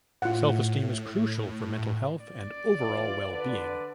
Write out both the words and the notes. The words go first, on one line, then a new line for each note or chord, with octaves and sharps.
Self-esteem is crucial for mental health and overall well-being.
A2 F4 F#5
D5
E3 F4 B4
D3 B4